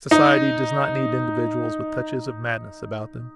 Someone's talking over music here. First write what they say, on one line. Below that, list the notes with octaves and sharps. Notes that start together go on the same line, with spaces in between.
Society does not need individuals with touches of madness about them.
D#4